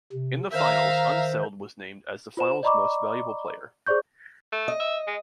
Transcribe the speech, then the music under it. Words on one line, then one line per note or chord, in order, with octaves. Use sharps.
In the Finals, Unseld was named as the Finals Most Valuable Player.
C3
D#3 C5 E5 F5 A#5
F4 C5 E7
D5 D#5 A#5 B5 C#6 D6
G#4 C5 D5 C#6 G6
A3
D#5
E5
G#3